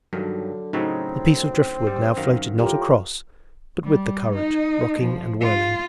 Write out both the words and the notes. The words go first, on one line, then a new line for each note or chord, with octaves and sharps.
The piece of driftwood now floated not across, but with the current, rocking and whirling.
G2 D3 D#3 F#3
A2 C#3 F#3 C4 D#4
G3
F#2 D#3 F5
A2 F4 G4 A#4
G3
D#4
F3
F4